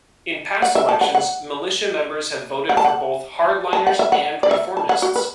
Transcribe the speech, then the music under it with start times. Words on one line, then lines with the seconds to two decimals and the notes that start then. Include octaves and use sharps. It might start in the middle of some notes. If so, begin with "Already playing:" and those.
In past elections militia members have voted for both hardliners and reformists.
0.62 F#5
0.75 E5
0.89 A5
1.01 F#5
1.15 F#5
2.69 F#5
2.77 A5
2.84 F#5
3.73 A5
3.87 F#5
3.99 E5
4.12 F#5
4.43 D5
4.51 E5
4.77 A5
4.89 F#5
5.02 F#4
5.16 B4